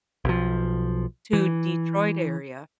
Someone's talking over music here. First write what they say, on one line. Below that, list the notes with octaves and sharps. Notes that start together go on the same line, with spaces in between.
to Detroit area,
B1 F3
E3